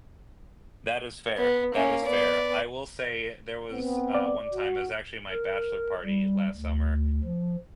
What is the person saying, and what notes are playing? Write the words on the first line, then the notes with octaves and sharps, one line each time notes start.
That is fair that is fair, I will say there was, uh, one time, it was actually my bachelor party last summer,
B3
A#3 C#4
B3 D5
B3 C4
D5
F#4
A#4
G3
D2
F3